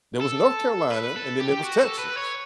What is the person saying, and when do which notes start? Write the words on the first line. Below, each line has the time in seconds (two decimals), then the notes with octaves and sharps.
There was North Carolina, and then there was Texas.
0.21 A4
0.92 B4
1.17 A4
1.40 G4
1.64 F#4
1.81 A4
1.99 B4
2.17 C#5